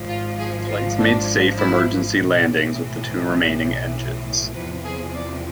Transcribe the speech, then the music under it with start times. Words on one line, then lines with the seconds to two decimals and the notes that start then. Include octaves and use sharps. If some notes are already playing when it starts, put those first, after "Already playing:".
The flights made safe emergency landings with the two remaining engines.
Already playing: G#1 G#2 F3
0.09 F4
0.39 G#4
0.69 F4
0.99 D4
1.58 E4
2.17 B1 A2 E3
4.54 E2 C3 F3 B4
4.85 G#4
5.14 D5